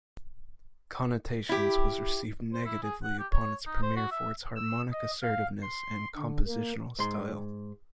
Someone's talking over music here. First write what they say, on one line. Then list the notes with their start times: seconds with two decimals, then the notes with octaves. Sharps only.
"Connotations" was received negatively upon its premiere for its harmonic assertiveness and compositional style.
1.49 E4 G4
2.53 C5
2.66 E4
2.83 G#4
3.03 F#5
3.19 G4
3.32 C#5
3.66 D#4
3.82 C5
3.97 F#4
4.11 E5
4.56 E6
4.92 D#5
5.23 F5
5.62 C6
6.17 D3
6.47 A#3
6.99 G#2 C6